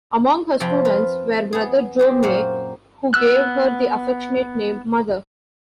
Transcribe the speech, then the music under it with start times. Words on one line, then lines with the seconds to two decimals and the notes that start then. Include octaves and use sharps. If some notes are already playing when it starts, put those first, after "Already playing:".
Among her students were Brother Joe May, who gave her the affectionate name "Mother".
0.60 F2 C3 F3 G5 G#5 B5
0.85 F4 B4
1.53 B3 G#4
1.99 C4 G4 G#4
2.23 F#2 A#2 A#3 C5 F#5
3.14 B3 E6 F#6